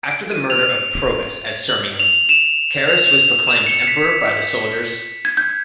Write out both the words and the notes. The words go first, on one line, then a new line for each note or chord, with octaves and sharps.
After the murder of Probus at Sirmium, Carus was proclaimed emperor by the soldiers.
D7
D#7
F7
F#7
F7
E7
F7
F7
F7
E7
C#7
B6
G#6
G6